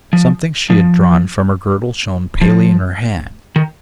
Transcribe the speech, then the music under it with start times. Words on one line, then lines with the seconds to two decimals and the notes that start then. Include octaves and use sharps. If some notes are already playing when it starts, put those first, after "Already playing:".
Something she had drawn from her girdle shone palely in her hand.
0.13 F3
0.70 F3
2.41 F3
3.56 D#3